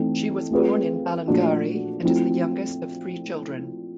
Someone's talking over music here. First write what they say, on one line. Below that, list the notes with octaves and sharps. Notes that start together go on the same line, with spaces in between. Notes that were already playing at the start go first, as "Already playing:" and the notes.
She was born in Ballingarry and is the youngest of three children.
Already playing: E3 A3 C4 D#4
A3 C4 F4 G#4 B4
A#2 F3 A3 D4 F#4
F3 A3 C4 E4